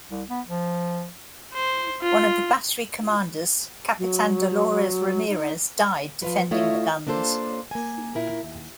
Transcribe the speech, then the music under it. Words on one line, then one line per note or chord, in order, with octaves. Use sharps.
One of the battery commanders Capitan Dolores Ramires died defending the guns.
C2
B3
F3
C5
F4
F#3
D#4
F3 F4 B4
A3 E4 F4 C#5 D#5
A#3 D4 F4 A4 C5
A#3 G#5
A#2 E4 A#4
D#2